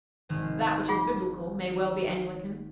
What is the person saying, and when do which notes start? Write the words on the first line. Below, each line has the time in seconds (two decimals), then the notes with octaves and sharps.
That which is biblical may well be Anglican.
0.29 G#1 D#3
0.88 F4 G#4 F#5